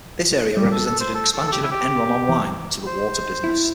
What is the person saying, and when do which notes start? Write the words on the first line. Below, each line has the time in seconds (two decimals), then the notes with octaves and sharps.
This area represented an expansion of EnronOnline to the water business.
0.57 G3 G4
0.72 A4
0.86 A4
1.00 C5
1.15 A4
1.33 A4
1.48 A4
1.52 G4
1.63 E4
1.71 G4
2.29 E3
2.87 C5
3.44 E4